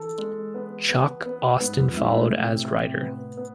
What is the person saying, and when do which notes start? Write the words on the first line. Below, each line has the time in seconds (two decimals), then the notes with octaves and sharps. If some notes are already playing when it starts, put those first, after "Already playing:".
Chuck Austen followed as writer.
Already playing: E3 A4
0.18 G#3
0.54 B3
0.89 B3
1.26 B3
1.60 G#2 B3
1.79 F2
1.96 G#2 E4
2.13 A2
2.31 C3
2.67 C3
3.02 B3
3.37 B3